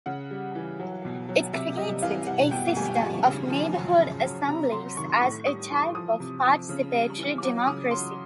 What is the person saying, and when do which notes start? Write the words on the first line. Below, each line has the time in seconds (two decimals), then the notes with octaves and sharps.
It created a system of neighbourhood assemblies as a type of participatory democracy.
0.06 C#3 F#5
0.31 G3
0.55 E3
0.79 F#3
1.05 B2
1.29 F#3
1.53 C3 E5
1.77 G3 D#5
2.02 E3 F5
2.27 G3 F#5
2.51 B2 G5
2.76 G3 G#5
2.86 G5
2.95 F3 G#5
3.25 C#3
3.50 F3
3.74 F#3
3.99 C#3
4.24 F#3
4.48 C3 A#5
4.72 F#3 C6
4.97 D#3 C#6
5.10 C6
5.21 A2 C#6
5.46 G3 D#6
5.71 E3 C6
5.95 F3 D#6
6.20 C3
6.44 F3
6.69 C#3
6.94 G3
7.18 E3
7.43 F#3 D6
7.67 C#3 D#6
7.91 F#3 C6